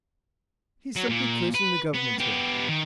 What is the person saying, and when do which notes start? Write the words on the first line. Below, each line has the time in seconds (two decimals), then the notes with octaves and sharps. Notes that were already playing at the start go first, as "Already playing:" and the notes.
'He's simply cursing the Government here.
0.96 F#3
1.09 A#2
1.55 B4
1.94 B3
2.20 B3 G4
2.68 D#3